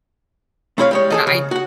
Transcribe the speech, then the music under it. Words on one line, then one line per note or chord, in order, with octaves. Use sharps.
and I'd
A3 C4 E4 C#5 E5 F5
G3 G#3 C#5
G#4 A4 D#5
C#3
F#4 F#5